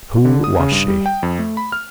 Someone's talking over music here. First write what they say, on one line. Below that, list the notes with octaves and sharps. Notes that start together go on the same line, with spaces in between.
Who was she?
D3
D#6
C#3
G2
G3
G5
F2
A3
B5
F6